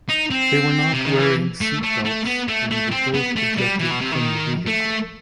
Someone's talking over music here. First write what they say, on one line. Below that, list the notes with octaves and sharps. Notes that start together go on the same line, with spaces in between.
They were not wearing seat belts and were both ejected from the vehicle.
D#4
C4
C3
D#3
E3
A3
A3
A3
B3
A3
A3
C4
B3
A3
G3
E3
B2
C3
D#3
A3